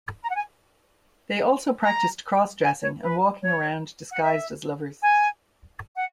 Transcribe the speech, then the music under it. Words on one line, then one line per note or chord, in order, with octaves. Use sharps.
They also practiced cross-dressing and walking around disguised as lovers.
A#5
F#5
G#5
A#5
G#5
C#5
B4
C#5
F#5
E5
G#5
F#5